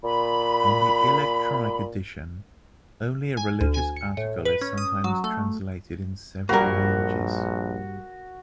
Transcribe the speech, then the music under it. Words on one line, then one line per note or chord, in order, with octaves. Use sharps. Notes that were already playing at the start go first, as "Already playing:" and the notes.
On the electronic edition, only a religious article is sometimes translated in several languages.
A#2 B5
G#5
D2
G#5
C#7
A2
B4
C#4
D#6
F#3
A3
A#1 G2 A#3 F#4 A#4 B5